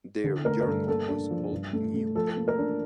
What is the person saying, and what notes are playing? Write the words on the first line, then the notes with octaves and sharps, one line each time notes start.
Their journal was called "New Era".
D3
A3 A#4
A#4
G2 A4
A#3 A4
D4
F3
G2
A3
A3
F3 A4
A#3
A#4
D4